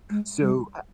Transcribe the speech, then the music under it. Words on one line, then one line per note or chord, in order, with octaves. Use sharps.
so I
G#3
G3